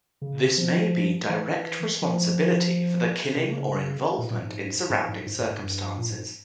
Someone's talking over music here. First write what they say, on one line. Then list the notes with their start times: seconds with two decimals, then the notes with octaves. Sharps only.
This may be direct responsibility for the killing or involvement in surrounding circumstances.
0.22 C#3
0.58 F3
1.29 E3
2.02 F3
3.36 C3
3.46 C#3
4.18 A#2
4.31 A#2
4.42 G#2
4.90 G#2
5.08 G#2
5.26 G#2
5.39 G#2
5.51 G#2
5.63 G2
5.98 A#2
6.10 G#2